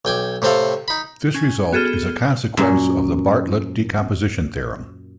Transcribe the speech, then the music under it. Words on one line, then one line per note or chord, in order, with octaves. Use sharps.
This result is a consequence of the Bartlett decomposition theorem.
B1 G5 G#5 D6
A2 C3 C4 A4 F5
D#4 B5
C#4 G#5
B3 F#4 G#4 A4 F6 G7
F#2 A#2